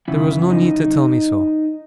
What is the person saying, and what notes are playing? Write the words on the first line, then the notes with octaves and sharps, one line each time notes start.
There was no need to tell me so.
F#2 C#3 E4
D#4